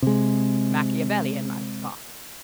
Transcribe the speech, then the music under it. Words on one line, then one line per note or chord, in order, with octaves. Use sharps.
"Machiavellian!" I scoffed.
C3 G#3